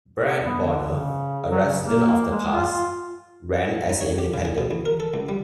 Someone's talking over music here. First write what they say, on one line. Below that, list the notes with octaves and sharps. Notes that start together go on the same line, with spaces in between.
Brad Bodnar, a resident of The Pas, ran as an independent.
C3
B3
D3
C#3
F#3
C#3
A#3
G#3
F4
D#4
C#5
G4
C#3
G#4
B2
E2
A#4
A4
C#2
G3